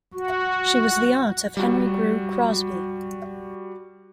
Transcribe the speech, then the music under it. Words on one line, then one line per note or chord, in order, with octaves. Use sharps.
She was the aunt of Henry Grew Crosby.
F#4
G3 F#4